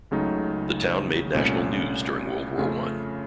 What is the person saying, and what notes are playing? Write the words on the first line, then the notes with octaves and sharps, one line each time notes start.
The town made national news during World War One.
C#2 C#3 F#3 A3 D#4
C2 A#2 A3 C#4
F2 C#3 A3 C#4 F4